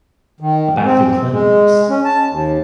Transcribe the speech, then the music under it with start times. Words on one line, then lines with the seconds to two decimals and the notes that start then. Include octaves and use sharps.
a bathroom cleanliness?
0.40 D#3
0.85 C4
1.32 G#3
1.90 C#4
2.05 A5
2.29 D#2